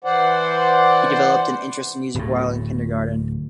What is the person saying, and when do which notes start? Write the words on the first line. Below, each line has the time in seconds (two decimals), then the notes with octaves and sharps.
He developed an interest in music while in kindergarten.
0.04 E3 C5 D5 F#5
2.14 D1 A2